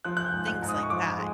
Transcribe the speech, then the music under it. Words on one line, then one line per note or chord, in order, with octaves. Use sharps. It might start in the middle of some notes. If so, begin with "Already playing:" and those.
things like that.
F3 F#6
F#6
G6
G#2
F#6
G#2
D#6
C#6
F3 D6
G#3